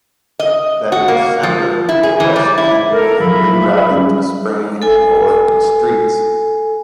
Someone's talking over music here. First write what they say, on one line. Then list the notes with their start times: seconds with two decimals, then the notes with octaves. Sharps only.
That December the west end was rerouted to Spring and Ord Streets.
0.39 D#5
0.92 F#4
1.08 A#3
1.43 F3
1.89 E4
2.03 G#4
2.20 E3
2.36 G3
2.58 E4
2.89 A4 A#4
3.18 F3 F#3 E5 F5 B5
3.89 G3 C#4 G#4
4.82 A4 G#5